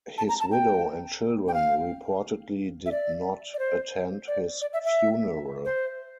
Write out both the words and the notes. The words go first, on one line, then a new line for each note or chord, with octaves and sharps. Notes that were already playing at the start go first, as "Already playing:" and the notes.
His widow and children reportedly did not attend his funeral.
A5
A#5
A5
G5
G5
F5
E5
D5
D5
C5
D5
D5
E5
E5
C5